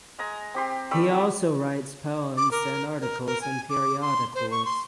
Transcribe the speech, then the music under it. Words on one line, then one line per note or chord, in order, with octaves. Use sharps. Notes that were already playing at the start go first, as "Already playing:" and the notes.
He also writes poems and articles in periodicals.
G#3 G#5 A#5
C4 G4 C6
G3 A3 E6
D6
A#4
A#4
A#4
G#5
D6
C6
C5
C#6
C6